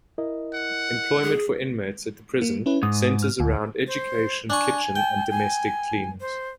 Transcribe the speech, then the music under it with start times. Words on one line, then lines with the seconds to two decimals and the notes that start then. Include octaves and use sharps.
Employment for inmates at the prison centres around Education, Kitchen and Domestic Cleaners.
0.18 E4 A#4 D#5
0.54 F#5
1.24 G#4
2.42 A#3
2.66 C#4 E4 B4
2.83 G#2 D#6
3.23 F6
3.40 D2
3.87 C5
4.50 D4 G#5 C#6
4.96 G5
5.31 G#5
6.20 C5